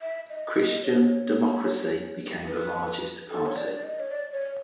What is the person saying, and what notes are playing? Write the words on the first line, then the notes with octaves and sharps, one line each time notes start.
Christian Democracy became the largest party.
E5
D#5
D#5
C#5
C5
C#5
B4
A4
C#5
D5
D5
D#5
C#5
D5
C#5